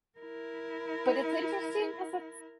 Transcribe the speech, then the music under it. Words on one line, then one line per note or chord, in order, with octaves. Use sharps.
But it's interesting 'cause it's
E4 A#4